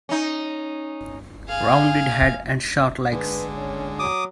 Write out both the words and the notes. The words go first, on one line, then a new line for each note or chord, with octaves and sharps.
Rounded head and short legs.
C#4 D#4
G#4 F5
D3 G#3 B4
C#4
F#3 D6 D#6